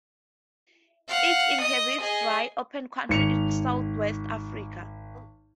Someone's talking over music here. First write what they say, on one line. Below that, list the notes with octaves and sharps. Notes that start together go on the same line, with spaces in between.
It inhabits dry, open country in southwest Africa.
F5 F#5
D#5 D#6
G#4 D#5
G#1 C#7 F7